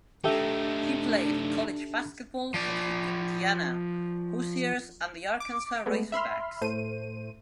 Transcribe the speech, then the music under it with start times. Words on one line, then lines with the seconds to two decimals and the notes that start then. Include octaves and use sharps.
He played college basketball for the Indiana Hoosiers and the Arkansas Razorbacks.
0.24 A3 D4 D#4 G4 A4 E5
2.54 F3 D5
5.40 D6
5.86 G#3 A3 B3
6.12 E5 B5 C6 F6
6.61 A2 A3 C5 D#7